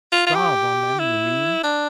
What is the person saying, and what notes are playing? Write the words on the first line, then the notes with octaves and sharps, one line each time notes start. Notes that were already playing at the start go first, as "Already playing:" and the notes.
"Starve on them, you mean?"
F4
F4
G4
E4
D4